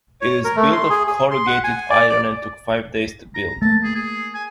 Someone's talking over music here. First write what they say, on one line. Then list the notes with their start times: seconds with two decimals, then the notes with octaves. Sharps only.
It is built of corrugated iron and took five days to build.
0.21 C#5
0.45 A#4
0.57 A3
0.73 C6
0.90 G#4
1.07 G#4
1.31 C6
1.47 F#5
1.64 G#5
1.90 D5
2.09 D5
3.35 A#5
3.62 A3 A#3 A5
3.84 G#4
3.95 G#4
4.35 G#5